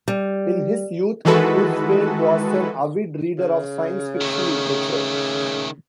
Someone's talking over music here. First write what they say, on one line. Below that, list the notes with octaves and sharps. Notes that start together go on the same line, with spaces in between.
In his youth, Kurzweil was an avid reader of science fiction literature.
G3
D#3 E3 G#3 F#4 A4 B4
C#3
D#3 A3